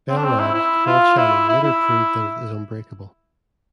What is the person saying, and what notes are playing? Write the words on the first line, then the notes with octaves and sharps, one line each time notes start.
Bell Labs' Claude Shannon later proved that it is unbreakable.
C4
D4
C4
E4
E4
F4
E4
E4
E4